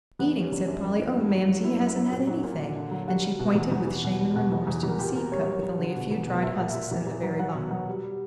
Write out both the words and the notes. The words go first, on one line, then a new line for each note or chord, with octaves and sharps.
"Eating!" said Polly, "oh mamsie, he hasn't had anything." And she pointed with shame and remorse to the seed-cup with only a few dried husks in the very bottom.
E2 B3
G3 C#4
E2 D4
F#2 D4
F#2
E3
G2
F#3
F#3
F#2 E4
F#2
F#3
A#2
F#3
A#2
D3
D3
F#3
G3 F#4
G3
B2
E2
E2
E2
B2
G3
B2
E2
E2
E2
A#4
A#2 G4
A#2 A#4
G3 C#5
F#3 C#5
F#3
D3
B2
E2
B2
A#2 E5
A#2 F#5
E5
A#2
E2
E2
F#3
F#3 F#5
B2
F#3
G3
G3